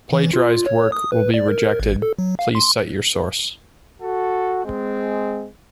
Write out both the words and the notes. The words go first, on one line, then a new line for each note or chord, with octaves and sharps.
Plagiarized work will be rejected, please cite your source.
E3
F4
C#5
D#6
B4
D5
A#4
G#1
A4
F#3
F5
C6
F#4 A4
G#3 C4